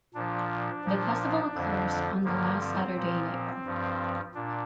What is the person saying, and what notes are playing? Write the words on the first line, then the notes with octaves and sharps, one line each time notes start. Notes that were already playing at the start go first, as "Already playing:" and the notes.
The festival occurs on the last Saturday in April.
A#2 F3 D4
A#2 F3
F2 D3 F3
G2 D3 F3 A#3
C4
A#2 F3
G2 F3
A#2 D4